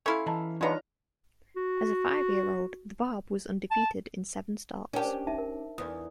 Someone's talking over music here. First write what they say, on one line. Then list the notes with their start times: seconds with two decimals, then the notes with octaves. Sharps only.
As a five-year-old The Barb was undefeated in seven starts.
0.06 C#4 E4 A4 F5 C6 C#6
0.26 E3 D#5 A5 A#5
0.61 G#3 B3 D4 D#4 F4 C#5 D#5 A#5
1.56 F#4
3.71 A5
4.93 C#4 D4 G4 A#4 A5
5.05 C5
5.27 D#4 E5 A5
5.38 A#4
5.78 E2 D5 D#6